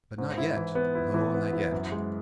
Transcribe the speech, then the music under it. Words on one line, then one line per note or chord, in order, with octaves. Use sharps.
But not yet--no, not yet.
G#2
E4
E3
B3
E4
E3
B3
E4
F#2
G#3